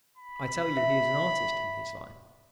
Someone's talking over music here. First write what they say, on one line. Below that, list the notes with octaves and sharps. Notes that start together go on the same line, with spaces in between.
I tell you he is an artist in his line.
B5
E5